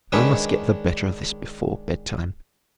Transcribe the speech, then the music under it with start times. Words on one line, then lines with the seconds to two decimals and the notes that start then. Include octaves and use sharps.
I must get the better of this before bed-time.
0.12 D#3 G#3 D4 B4 C#5